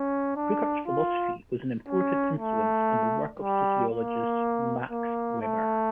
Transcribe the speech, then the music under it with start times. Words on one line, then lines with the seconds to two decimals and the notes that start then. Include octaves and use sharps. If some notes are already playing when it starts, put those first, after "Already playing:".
Rickert's philosophy was an important influence on the work of sociologist Max Weber.
Already playing: C#4
0.36 D4
0.87 F4
1.88 C#4
2.39 A3
3.40 G3
3.90 A#3
4.91 A#3
5.42 A3